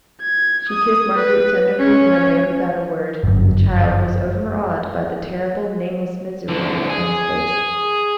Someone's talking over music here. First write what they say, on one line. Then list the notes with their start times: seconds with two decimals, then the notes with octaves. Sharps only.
She kissed Marguerite tenderly and obeyed without a word; the child was overawed by the terrible, nameless misery in her friend's face.
0.22 G#6
0.69 D#6
1.17 B4
1.79 C#4
3.24 G1 F#2
6.48 C2 D3
6.90 G#4